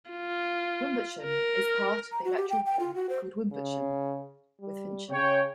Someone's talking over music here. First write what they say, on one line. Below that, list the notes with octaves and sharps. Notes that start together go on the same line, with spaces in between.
Wimbotsham is part of the electoral ward called Wimbotsham with Fincham.
F4
A#4
A#5
F#4
G4
G5
G5
F4
F#4
C5
C#3
G3
C#3 C#5 G5